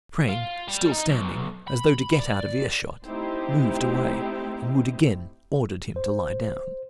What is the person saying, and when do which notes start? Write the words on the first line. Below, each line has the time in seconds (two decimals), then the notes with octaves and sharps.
Crane, still standing, as though to get out of ear-shot, moved away, and Wood again ordered him to lie down.
0.29 F4
0.68 G3
0.92 D#4
1.10 B1
1.68 B5
2.19 D5
3.04 A3 C4 D#4 E4 G4 C5
5.96 C5